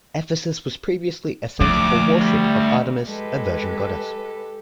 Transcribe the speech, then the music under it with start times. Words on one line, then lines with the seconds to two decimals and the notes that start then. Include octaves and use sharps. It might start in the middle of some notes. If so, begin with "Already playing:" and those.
Ephesus was previously a centre for worship of Artemis a virgin goddess.
1.61 D2 F3 D6
2.20 G3
3.07 G#3 G4 A4 B4